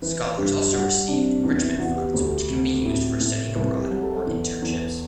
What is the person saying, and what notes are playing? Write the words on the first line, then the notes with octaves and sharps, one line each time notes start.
Scholars also receive enrichment funds which can be used for studying abroad or internships.
E3 B4
G2 G4
G3 F#4
C3 D4
E2 D4
E4
E2 F#4
G4
D2
C3
A2
A2
C2 B4
G4
F#3
A4
E2
E2